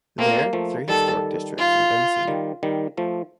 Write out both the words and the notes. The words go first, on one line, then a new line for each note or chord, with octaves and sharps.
There three historic districts in Benson.
A3 A#3 C4
F3 A3
D#3 G3 A4
F4
D#3 G3
D#3 G3
F3 A3